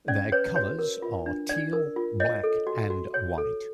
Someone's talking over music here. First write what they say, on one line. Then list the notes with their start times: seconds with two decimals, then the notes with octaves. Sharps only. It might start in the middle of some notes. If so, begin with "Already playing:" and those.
Their colours are teal, black and white.
0.08 C#4 D5
0.32 B4 C#5
0.56 F#4 C#5
0.79 A#4
1.02 F4
1.26 D4
1.49 D4 D5
1.73 A#4
1.96 F4
2.20 C#5 D#5
2.43 A4
2.67 F#4
2.90 F#4
3.14 C#5
3.38 A4